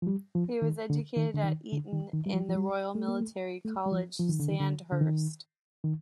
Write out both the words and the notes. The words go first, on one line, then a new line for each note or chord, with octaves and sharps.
He was educated at Eton and the Royal Military College, Sandhurst.
F3
G3
F3
D#3
D3
D#3
D3
D#3
D3
D#3
D#3
G3
F3
F3
G3
A3
A#3
A3
A3
G3
F3
F3
D#3
D3
D#3
D3
D3
D#3
D#3